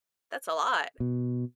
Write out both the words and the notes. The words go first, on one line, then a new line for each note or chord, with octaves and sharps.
That's a lot.
B2